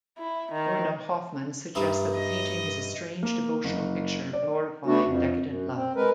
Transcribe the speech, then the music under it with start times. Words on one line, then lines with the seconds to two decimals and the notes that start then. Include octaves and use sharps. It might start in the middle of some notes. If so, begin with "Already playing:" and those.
Werner Hofmann suggests that the painting is a strange devotional picture glorifying decadent love.
0.18 E4
0.52 D#3
1.75 G2 D#4 E4
2.16 D#5
3.23 A#3
3.64 F#1
4.33 D5
4.86 A3 B3 D4 F#4
5.04 F2
5.44 F#2
5.74 C4
5.96 G#3 A#4 B4